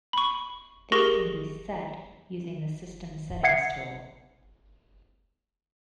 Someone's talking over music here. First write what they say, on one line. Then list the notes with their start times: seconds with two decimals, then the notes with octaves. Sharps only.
This can be set using the System Settings tool.
0.13 B5 C#6
0.92 G4 G#4 A#4 C#6 A#6 G7
3.43 E5 F#5 G#6 C7 C#7